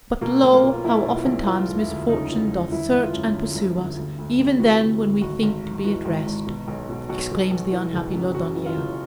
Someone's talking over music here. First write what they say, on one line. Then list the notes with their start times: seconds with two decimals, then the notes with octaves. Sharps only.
"But, lo, how oftentimes misfortune doth search and pursue us, even then when we thinke to be at rest!" exclaims the unhappy Laudonniere.
0.21 B2 A#3
0.43 B1
0.53 A#3
0.63 B2
0.73 F4
0.84 B1 E4
1.05 B2
1.16 E4
1.26 B1
1.46 E3 F4
1.68 E1
1.78 E4
1.89 D2
2.09 C#3 D#4
2.30 E3
2.51 E1
2.72 G1 E4
2.93 G1
3.03 F4
3.13 F#2
3.34 D3
3.55 G1
3.76 G1
3.97 D2
4.18 D2
4.39 C3
4.59 E3 F#4
4.81 D2
5.01 D2
5.22 G#1 F#4
5.43 G#1
5.64 G#2
5.84 E3 F#4
6.05 G#1
6.26 G#1
6.47 B2
6.68 B1
6.89 B2
7.09 B1 F#4
7.31 B2
7.51 B1
7.72 E3
7.93 F#1
8.14 F#2
8.35 C#3 F#4
8.56 E3
8.66 F4
8.76 F#1